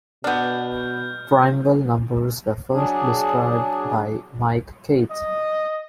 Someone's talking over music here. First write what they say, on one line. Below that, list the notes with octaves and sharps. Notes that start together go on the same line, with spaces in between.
Primeval numbers were first described by Mike Keith.
B2 B3 D4 F6 G6
F#3 D4 G#4
D#5